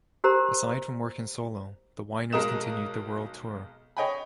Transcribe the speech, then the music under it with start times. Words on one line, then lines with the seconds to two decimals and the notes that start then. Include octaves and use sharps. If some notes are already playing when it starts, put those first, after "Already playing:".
Aside from working solo, the Wynners continued their world tour.
0.24 G4 A#4 C5 A#5
2.33 B1 G#3 A#4 D#5 D#6 E7
3.97 C#5 D#5 G5 G#5 B5